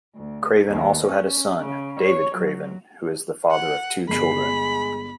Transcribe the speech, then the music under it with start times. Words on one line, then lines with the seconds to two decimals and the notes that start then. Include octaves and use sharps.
Craven also had a son, David Craven, who is the father of two children.
0.15 D2
0.69 D#2
1.05 C#4
1.60 C#3
1.99 C#5
2.35 F#3
3.51 F#5
4.09 G1 G#3 B5 C7